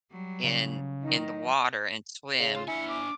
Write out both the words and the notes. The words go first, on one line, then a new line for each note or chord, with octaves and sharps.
in in the water and swim.
F#3 G3
C#3
D#3 F#3 D#4 D#5
C#3 F7
F4 C6
D4 E4 G#5 C#7
D6